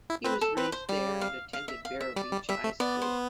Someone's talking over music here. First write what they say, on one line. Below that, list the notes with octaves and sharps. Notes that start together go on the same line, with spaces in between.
He was raised there and attended Vero Beach High School.
E4
C4 B4
A4
C4 B4
C5
G3 D5
F5
F5
E5
F5
E5
G3 D5
G3
G3 E5
A3
B3 D5
C5